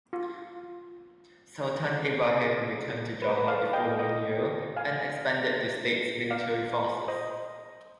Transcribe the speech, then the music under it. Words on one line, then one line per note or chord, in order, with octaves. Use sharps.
Sultan Ibrahim returned to Johor the following year, and expanded the state's military forces.
F4
G#4
B4
C5
B4
D5 F5
D#5 G5
D#5 G5
F5 G#5
D5 F5
C5 D#5